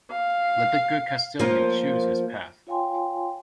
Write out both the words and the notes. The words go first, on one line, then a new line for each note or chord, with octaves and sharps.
Let the good Castillian choose his path.
F5
F3 A#3
F4 C#5 F5 G5 G#5 C6